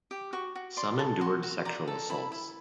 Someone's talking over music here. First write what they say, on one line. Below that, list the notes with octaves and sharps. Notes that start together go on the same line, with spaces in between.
Some endured sexual assaults.
G4
F#4 C#6
F#4
D5 C6
A4
F#4 C6
F#4
D5 A#5
A4
E4 B5
E4